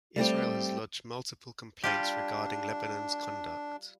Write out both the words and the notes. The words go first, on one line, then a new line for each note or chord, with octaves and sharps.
Israel has lodged multiple complaints regarding Lebanon's conduct.
G3 A3 C4 G4
G3 D4 F4 G4